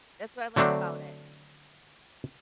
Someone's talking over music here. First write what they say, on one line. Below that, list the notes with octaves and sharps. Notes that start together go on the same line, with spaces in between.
That's what I like about it.
D3 F#3 A3 C4 D4